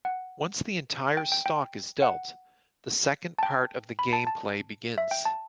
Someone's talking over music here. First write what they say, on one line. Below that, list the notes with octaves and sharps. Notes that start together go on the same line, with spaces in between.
Once the entire stock is dealt, the second part of game play begins.
F#5
G5
G5
G5
F#5
A5
G5
B5
A5
A5
E5
G5
A5